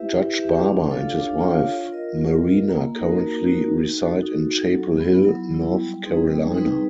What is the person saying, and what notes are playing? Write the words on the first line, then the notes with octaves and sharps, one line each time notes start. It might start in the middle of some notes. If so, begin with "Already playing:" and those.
Judge Barber and his wife Marina currently reside in Chapel Hill, North Carolina.
Already playing: E4 G4 B4 E5
E4
G4 B4 E5
D4
F4 A4 C#5 F5
D4
F4 A4 C#5 F5
F4
A#4 D#5
F4
A#4 D#5
A#3
D#4 F#4 A#4
A#3
D#4 F#4 A#4
D#4
F#4 A4
D#4
F#4 A4
F#3
B3 E4
F#3
B3 E4
G3
C4 D#4 G#4 B4
G3
C4 D#4 G#4 B4